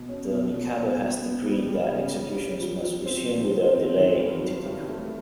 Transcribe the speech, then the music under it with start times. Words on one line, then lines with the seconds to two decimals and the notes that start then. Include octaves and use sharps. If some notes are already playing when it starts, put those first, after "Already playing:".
The Mikado has decreed that executions must resume without delay in Titipu.
Already playing: B2
0.09 C#4
0.31 B2
0.54 B2
0.77 B2
0.99 B2
1.22 B3
1.46 G3
1.68 G3
1.91 C#3
2.14 G3
2.36 G3
2.60 F3
2.82 F3
3.06 C4
3.29 F3
3.51 C4
3.74 C4
3.97 D#3
4.20 G2
4.43 F#3
4.66 G2
4.88 A3